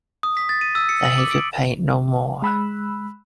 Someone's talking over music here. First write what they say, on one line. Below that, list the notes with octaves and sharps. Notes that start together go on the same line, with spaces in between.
Then he could paint no more.
D#6
B6
A6
D#7
E6
C#7
F#7
D6
D7
G#3 B5 E6 F#6